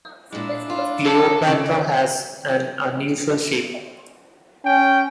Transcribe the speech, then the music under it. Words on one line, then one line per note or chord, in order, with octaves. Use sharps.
Kleopatra has an unusual shape.
A#2 G#3 D4 E4
F4
A4
C#3
C#4 G5